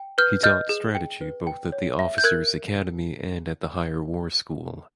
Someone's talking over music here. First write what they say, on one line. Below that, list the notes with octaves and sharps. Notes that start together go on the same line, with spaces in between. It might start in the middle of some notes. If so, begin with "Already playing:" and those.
He taught strategy both at the officers’ academy and at the Higher War School.
Already playing: G5
B4 F6 G6
D#5 F6 G6
G#4
G5
B4
G5
C#5
E5
G6
A#4 F#6 G#6